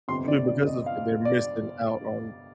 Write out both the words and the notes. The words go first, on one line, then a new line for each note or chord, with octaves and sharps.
simply because of the fact they're missing out on,
G1 F2 C3 C6
D5
D5
D#5
F5
D5